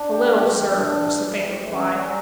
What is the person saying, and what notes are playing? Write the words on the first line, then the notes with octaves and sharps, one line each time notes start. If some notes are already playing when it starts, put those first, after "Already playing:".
"A little, sir," was the faint reply.
Already playing: D4
G4
G4
E3
D4
E3
G3
E3
E3
C#4
G3